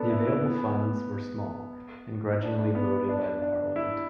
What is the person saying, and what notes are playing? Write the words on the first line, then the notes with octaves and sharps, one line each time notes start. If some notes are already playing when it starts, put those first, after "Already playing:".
The available funds were small, and grudgingly voted by the parliament.
Already playing: B3 D4 A4
E4
E4
B3
D4
B3
D4
D4
E4